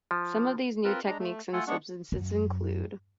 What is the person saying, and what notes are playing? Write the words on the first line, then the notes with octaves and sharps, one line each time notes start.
Some of these new techniques and substances include.
F3
C4 F4 A#4 B4
G#3 D4 A#5
A3
A3 F4 A4 F#5 G#5
G#3 B3 D4 F#5 C#6
F#2